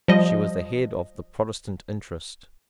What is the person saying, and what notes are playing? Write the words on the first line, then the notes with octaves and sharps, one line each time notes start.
She was the head of the Protestant interest.
F3 G3 D#5